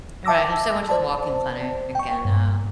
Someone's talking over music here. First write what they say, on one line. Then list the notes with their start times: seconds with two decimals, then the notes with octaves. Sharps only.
And, right, and so I went to the walk-in clinic and, uh
0.25 E5 A5 D6 E6 A#6
0.89 C5 D5 A5
1.95 G5 C#6
2.25 G2